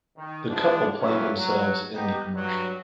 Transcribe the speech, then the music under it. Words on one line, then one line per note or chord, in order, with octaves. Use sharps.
The couple play themselves in the commercial.
D#3
E3 F3 G#3 B3 D4
E3 F#3 C#4 D4 E4 F4
F#3
B3 D#4 G4
G2 F#3